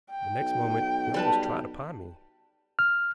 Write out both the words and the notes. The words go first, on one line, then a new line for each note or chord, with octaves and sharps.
The next moment he almost trod upon me.
G5
B1
G3 B4 A5
F6